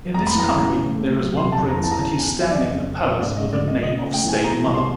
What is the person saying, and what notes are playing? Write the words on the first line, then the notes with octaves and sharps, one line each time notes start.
In this country, there is one prince and he is standing in a palace with a name of state mother.
F2 A#5
B5
E3 A#5
C#3
A2
A3
F#3
C3 C6
A5
F2
A#5
E3 A5
A#5
C#3 A5
E2 G#5
F#3 E5
D5
F2 D#5
F#1
C#3
G#2 D5
D#5
A3
D5
F3
D#5
C#3 D#5
A3
G5
E3
G#5
B2 A#5
C2
C6